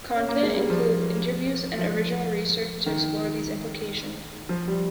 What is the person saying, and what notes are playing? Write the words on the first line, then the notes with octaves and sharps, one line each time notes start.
Content includes interviews and original research to explore these implications.
C#4
A#3
G#3
G3
F3
F3
D#3
F3
G3